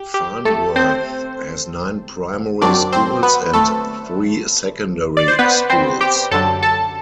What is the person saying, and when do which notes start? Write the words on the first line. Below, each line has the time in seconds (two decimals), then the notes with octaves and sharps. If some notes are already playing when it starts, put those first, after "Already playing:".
Farnworth has nine primary schools and three secondary schools.
Already playing: G4
0.14 G4
0.45 A3 A4
0.76 C4 C5
2.61 F#2 F#3 C4 D4 D5
2.92 C4 C5
3.23 B3 B4
3.53 A3 A4
5.17 D5
5.28 C5
5.39 B3 B4
5.70 C4 C5
6.01 G4 G5
6.31 F#2 D3 F#3 A4 A5
6.63 A4 A5